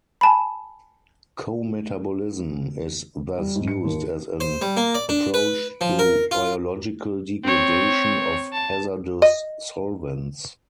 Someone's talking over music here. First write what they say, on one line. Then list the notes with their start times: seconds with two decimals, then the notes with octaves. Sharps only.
Co-metabolism is thus used as an approach to biological degradation of hazardous solvents.
0.21 G#5 A5 B5
3.38 G3
3.55 G#2
3.68 C#7
3.85 D#2
4.40 C5
4.62 G3
4.77 A#3
4.95 D5
5.09 D4
5.34 B4
5.81 F3
5.99 A#4
6.31 F4
7.44 C4 C#5
8.53 A5
9.22 D#5